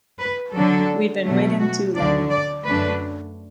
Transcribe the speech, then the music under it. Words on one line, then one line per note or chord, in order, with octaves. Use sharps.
We'd been waiting too long.
B4
D3 F#3 D4 A4
B2 F#3 A3
F#4
D2 D3 F#3 D4 D5
D5
F#2 D3 A3 D4 B4